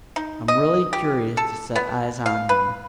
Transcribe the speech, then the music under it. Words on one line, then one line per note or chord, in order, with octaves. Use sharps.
I'm really curious to set eyes on him.
D#4
D#5
G4
A4
B3
F5
B4